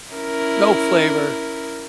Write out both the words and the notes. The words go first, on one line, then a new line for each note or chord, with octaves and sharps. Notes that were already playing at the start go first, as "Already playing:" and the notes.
No flavor.
C#4 E4 A#4